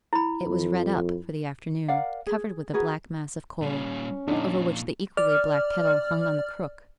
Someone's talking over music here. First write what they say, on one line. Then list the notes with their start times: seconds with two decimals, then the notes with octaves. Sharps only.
It was 'redd up' for the afternoon; covered with a black mass of coal, over which the equally black kettle hung on the crook.
0.13 E4 B5
0.46 F2
1.88 A#4 D5 F5 F#5
2.26 G#4
2.73 F#4 G#4 A#4 B4
3.62 A#2 G3 C#4
4.28 F2 A#2 D4 D#4
5.17 D5 F6